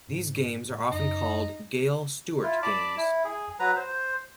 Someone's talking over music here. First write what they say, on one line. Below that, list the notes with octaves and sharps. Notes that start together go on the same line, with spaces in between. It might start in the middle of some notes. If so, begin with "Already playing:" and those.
These games are often called Gale-Stewart games.
G#2
A2
F#2 D#4
E4 F4
D5 A5 B5 D6
E4
G#4
F#3 B4 A#5
C5